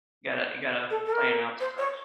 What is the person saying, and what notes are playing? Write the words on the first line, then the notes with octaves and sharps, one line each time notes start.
Gotta you gotta plan out stuff.
A4
A4
A#4
C5
C#5